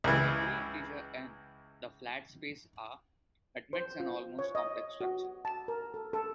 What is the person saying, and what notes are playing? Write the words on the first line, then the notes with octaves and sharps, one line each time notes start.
For every integer n, the flat space R admits an almost complex structure.
C#2 E3
C5
F4
C#5
D#5
F#4
A5
A#4
A4
A4